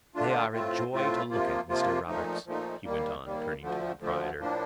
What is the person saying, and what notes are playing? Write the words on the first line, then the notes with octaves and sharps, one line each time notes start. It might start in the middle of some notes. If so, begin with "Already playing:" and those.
"They are a joy to look at, Mr. Roberts," he went on, turning to the proprietor.
D3 A3 D4 F4
A2 A3 C4 F4
A2 A3 C4 F4
C3 F3 A#3 F4
C3 F3 A#3 F4
A#2 F3 A3 D#4
A#2 F3 A3 D#4
D#2 D#3 G3 A#3
D#2 D#3 G3 A#3
D2 D3 F3 A3
D2 D3 F3 A3
A2 F3 A#3 D4